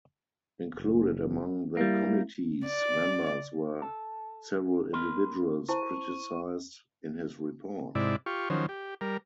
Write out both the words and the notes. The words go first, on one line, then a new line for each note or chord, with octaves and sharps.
Included among the committee's members were several individuals criticised in his report.
F#1
G3 A#3 E4
D5
A4
A#4 B5 C6
E4 C5 A5 C#6
G#2 C3 E4 D5
F4 G4 C#6
D#3 F3 F#3 C#4 C5
G4
G3 A#4